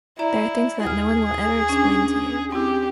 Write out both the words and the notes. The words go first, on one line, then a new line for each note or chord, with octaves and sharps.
There are things that no one will ever explain you.
E4 D5 E5 A#5
D#2 G#4 F6
C#4 D4
C4 E4 G4